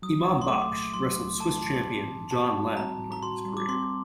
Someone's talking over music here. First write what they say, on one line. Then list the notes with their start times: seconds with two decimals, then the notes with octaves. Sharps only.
Imam Baksh wrestled Swiss champion John Lemm during his career.
0.02 F#3 D#6
0.26 C2
0.41 C6
0.48 A3 D6
0.71 A#2
0.94 F#3 C6
1.17 C2
1.39 A3 A5
1.63 A#2
1.85 C4
2.08 A2
2.31 F#4 A5
2.54 G3
2.77 C4 A#5
3.00 A2
3.12 A#5
3.23 F#4 C6
3.45 G3
3.57 D6
3.68 C4 C6